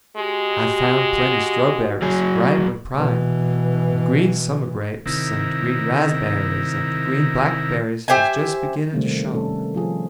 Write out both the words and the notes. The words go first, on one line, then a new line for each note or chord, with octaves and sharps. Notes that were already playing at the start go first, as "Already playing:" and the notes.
I found plenty strawberries, ripe and prime; and green summer grapes, and green razberries; and the green blackberries was just beginning to show.
G#3 F#4 G4
F#3 G#4
B2 E3
C3 D#3 E4 A#4
G4 C5 E5 G#5
C3 D#3 G3 A3 A#3 C4
A#3 C#4 A4
F3 F4 G#4